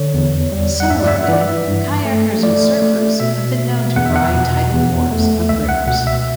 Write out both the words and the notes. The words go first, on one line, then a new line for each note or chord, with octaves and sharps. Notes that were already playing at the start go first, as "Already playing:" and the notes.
Similarly, kayakers and surfers have been known to ride tidal bores up rivers.
Already playing: D3 C#5
E2
G3
F#5
G2 E5
D5
E5
F#5
E3 D5
E5
G2
A3
A3 D5
A3
B2 E5
B2
E2 F#5
E5
F#5
B2
E2
A3
C#2 E5
F#5
B2 F#5
E5